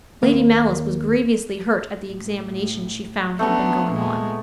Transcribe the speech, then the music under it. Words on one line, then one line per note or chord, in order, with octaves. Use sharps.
Lady Malice was grievously hurt at the examination she found had been going on.
D#2 A#3
A2
A3 B3 C#4 D4 A4 A#5
A#2 G#3 B3